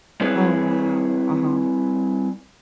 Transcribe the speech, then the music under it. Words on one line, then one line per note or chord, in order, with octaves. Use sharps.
Oh, wow. Uh-huh.
G3 C4 E4 G#4 B4 C#5